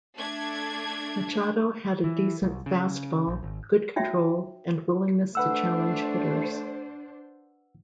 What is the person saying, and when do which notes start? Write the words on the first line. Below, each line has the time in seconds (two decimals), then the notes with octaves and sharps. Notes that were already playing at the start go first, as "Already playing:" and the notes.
Machado had a decent fastball, good control and willingness to challenge hitters.
0.16 A3 D4 G#6
2.04 E3
2.42 C2
2.66 C#3
3.28 A#1
3.43 G#1
3.96 D#4 F#4 C#5 E5 G5
5.35 A3 D4 B4 C5 F#5 E6